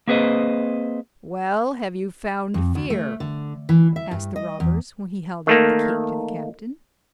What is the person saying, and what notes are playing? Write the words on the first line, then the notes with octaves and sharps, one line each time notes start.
'Well, have you found fear?' asked the robbers when he held out the cake to the captain.
A#3 C4 G#4 B4 C5 D#5
F2
D2
A3
D3
E3
E5
G2
D#5
E2
D#3 A3 A#3